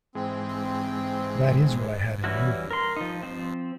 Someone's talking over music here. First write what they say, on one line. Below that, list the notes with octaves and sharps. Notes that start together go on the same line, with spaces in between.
That is what I had in mind.
G#2 E3 G#3 C4
E3 G3 C#4 E4 F#4
A#4 C6
F3 D#4
F3 C4